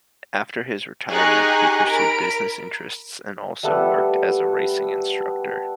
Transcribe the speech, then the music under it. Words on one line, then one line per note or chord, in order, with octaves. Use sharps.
After his retirement, he pursued business interests and also worked as a racing instructor.
D#4 G4 G#4 C#6 F#6
A#4 B5 D7
G3 A3 B3 A4